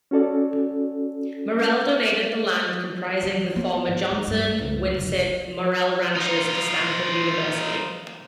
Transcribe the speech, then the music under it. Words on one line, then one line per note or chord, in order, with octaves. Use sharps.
Morell donated the land comprising the former Johnson, Winship, Morell ranches to Stanford University.
C#4 F#4 A4 D5
F3
B3
G#1
D#4
G2
C#2
F1
D#4 F4